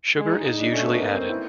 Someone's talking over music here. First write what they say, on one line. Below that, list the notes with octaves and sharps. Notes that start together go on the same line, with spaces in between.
Sugar is usually added.
G#3
D#4
D#4
D4
A3 C#4
B3
A#3
C4
E4